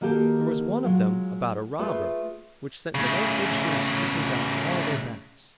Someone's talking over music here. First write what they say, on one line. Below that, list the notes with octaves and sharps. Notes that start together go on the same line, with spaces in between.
There was one of them about a robber, which sent delightful chills creeping down all their backs.
D#3 A#3 F#4 G4 A4
F#3 G#3 F4
A3 F4 G#4 B4 E5
A2 C#3